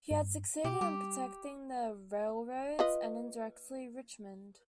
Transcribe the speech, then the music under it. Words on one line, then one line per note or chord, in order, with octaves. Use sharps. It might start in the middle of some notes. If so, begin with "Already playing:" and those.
He had succeeded in protecting the railroads and, indirectly, Richmond.
G2
B2 G4
G3 G4
F4 B4 D#5